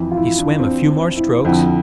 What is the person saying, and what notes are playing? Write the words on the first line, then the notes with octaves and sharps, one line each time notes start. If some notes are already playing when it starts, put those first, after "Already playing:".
He swam a few more strokes.
Already playing: F2 E3
F4
E4
D4
C4
E4
F2 D3 E4